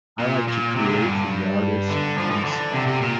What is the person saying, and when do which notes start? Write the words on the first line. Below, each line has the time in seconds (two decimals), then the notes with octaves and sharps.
I like to create for the artist on the spot.
0.19 A#2
0.48 A#2
0.76 C3
0.85 D3
0.94 A#2
1.03 G2
1.89 D3
2.17 F3
2.30 E3
2.45 D3
2.74 C3
2.87 C3
3.01 A#2